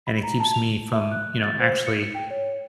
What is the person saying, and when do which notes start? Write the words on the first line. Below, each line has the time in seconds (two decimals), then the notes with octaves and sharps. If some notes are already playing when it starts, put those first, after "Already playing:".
and it keeps me from, you know, actually
0.07 B5
0.23 A#5
0.40 A5
0.54 F7
0.92 E5
1.11 F#6
1.44 A6
1.60 C5
1.86 C#7
2.15 G5
2.31 C#5